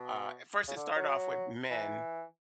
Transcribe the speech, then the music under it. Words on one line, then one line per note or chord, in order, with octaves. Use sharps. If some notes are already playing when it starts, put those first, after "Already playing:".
uh at first it started off with men
Already playing: B2
C#3
D3
F#3
E3